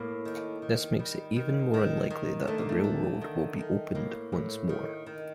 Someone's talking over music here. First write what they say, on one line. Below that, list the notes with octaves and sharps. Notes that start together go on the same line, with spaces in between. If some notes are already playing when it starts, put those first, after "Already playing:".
This makes it even more unlikely that the railway will be opened once more.
Already playing: A2 A#3
D#3
D#3
D#3 G3
D#3
D#3
D#3
D3 A3
A#3
A3
D3
D#3
D#3
A2 A#3
A2
D#3
D#3